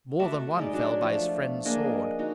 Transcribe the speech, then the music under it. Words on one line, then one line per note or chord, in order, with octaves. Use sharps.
More than one fell by his friend's sword.
A3 F#4 E5 D6
G#3 D#4 D5
F#3 D4 D5
F3 A3
A#3 D4 G#4 D#5
D#4 F#4 A#5